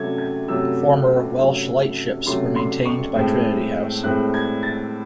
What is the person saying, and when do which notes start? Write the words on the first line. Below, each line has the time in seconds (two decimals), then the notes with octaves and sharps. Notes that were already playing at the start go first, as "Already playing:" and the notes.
Former Welsh lightships were maintained by Trinity House.
Already playing: C3 F#3 A3 C#4 G#6
0.18 G#6
0.48 C3 F#3 A3 C#4 E6
1.37 C3 F#3 A3 C#4
2.26 C3 F#3 A3 C#4 C6
2.56 C6
2.85 C#6
3.15 A2 G#3 C4
4.04 A2 G#3 C4 F#6
4.34 G#6
4.63 A6